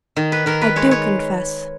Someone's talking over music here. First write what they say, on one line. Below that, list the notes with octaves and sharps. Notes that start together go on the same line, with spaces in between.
I do confess.
D#3
B4
D#3 A#4
B4
G#3 C#5
C#5